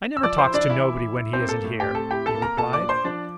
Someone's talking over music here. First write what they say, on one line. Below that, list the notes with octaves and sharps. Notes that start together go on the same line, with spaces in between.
"I never talks to nobody when he isn't here!" he replied.
E6
F3 D5 D6
C5 C6
E4
D4 D5
E3 E4 E5
E4
E4
C4 C5
A#3
A4
A2
G4 G5
C4
A4 A5
E4 G4 G5
A4 A5
A#3
A#4 A#5
A#2 A4 A5
D5 D6
D4
C5 C6
F3 D4 D5